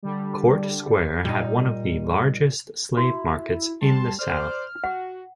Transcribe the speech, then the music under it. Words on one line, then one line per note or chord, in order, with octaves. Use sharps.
Court Square had one of the largest slave markets in the South.
D3 G3
A#2 G3 D#4
E4 F#4
G3 A5 C6
C5 D5 F6
F#4 F#5